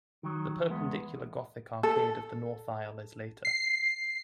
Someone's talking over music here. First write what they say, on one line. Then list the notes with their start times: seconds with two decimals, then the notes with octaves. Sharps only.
The Perpendicular Gothic arcade of the north aisle is later.
0.23 D#3 F#3
0.69 E2 G#3 B3
1.83 A4
3.45 C7